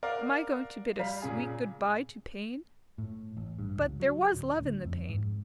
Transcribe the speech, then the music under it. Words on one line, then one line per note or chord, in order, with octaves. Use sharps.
Am I going to 'Bid a sweet good-bye to Pain?' But there was Love in the Pain.
A#4 D5 F5 F#5
G3 F5 A#5 B6
A#2 C#3 G#4
A2
A1
G2
C#2
F#3
D1
D2
F2
G#2